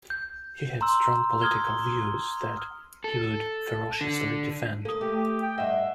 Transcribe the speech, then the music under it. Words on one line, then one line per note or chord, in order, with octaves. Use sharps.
He had strong political views that he would ferociously defend.
G6
A#5 C6 E6
D#6 F6 G#6 G7
A4
D3
A#3 A4 D#6
A3 G4
G4
G5
G2 D#5 E5 F#5